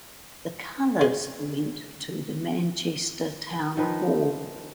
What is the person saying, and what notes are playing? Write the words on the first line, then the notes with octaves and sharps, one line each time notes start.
The colours went to the Manchester Town Hall.
G#3
D#3 F3 B4